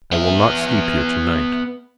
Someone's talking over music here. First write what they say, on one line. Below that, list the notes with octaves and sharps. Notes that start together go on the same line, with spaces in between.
I will not sleep here tonight.
B3 E5